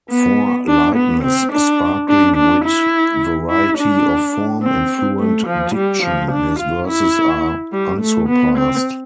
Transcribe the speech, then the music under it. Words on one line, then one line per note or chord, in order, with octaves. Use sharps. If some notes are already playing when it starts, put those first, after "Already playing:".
For lightness, sparkling wit, variety of form and fluent diction, his verses are unsurpassed.
B3
D4
B3
C4
D4
D4
D4
E4
E4
D4
C4
A3
F3
G3
F3
D4
F4
E4
G3
A3
B3
C4